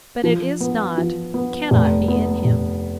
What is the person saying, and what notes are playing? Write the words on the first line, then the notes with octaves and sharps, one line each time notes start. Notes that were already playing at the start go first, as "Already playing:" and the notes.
But it is not, cannot be in him.
F3
B3
F3
B3
F1
B3
F1